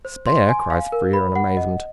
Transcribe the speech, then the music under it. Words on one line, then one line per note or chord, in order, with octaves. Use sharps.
"Spare!" cries Frere, in amazement.
C5
C6
G#5
F5
A#4
B5
F#5
D#5